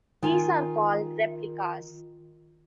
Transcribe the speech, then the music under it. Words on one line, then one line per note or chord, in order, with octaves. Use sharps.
These are called replicas.
D#3 F4 G#5